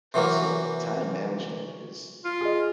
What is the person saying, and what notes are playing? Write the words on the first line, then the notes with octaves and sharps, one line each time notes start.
So, like, time management is
C3 E3 F#3 A#3
F4
G#4 D#5